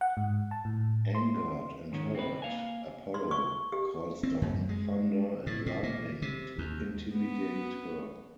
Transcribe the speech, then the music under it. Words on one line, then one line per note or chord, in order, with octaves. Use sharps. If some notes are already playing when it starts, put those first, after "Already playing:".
Angered and hurt, Apollo calls down thunder and lightning to intimidate her.
F#5
G#2
A5
A2
C6
G#2 D#3 C#4
C4 B4
A#3 F5 G#5
C6
C#6
G4
C4
F#2
G#3
A2
A2
A#2
C3
D#2
B3